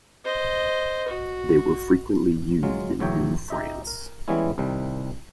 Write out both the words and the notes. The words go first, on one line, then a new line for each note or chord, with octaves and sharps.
They were frequently used in New France.
C5 D#5
F#4
F#3 G#3 F4
B1 E2 F#3 C#5 E5 G5
D#4 G4 D#5 E5
A#4
E3 G3 G#3 B3 C#4 E4
C2 C3 D#3 G3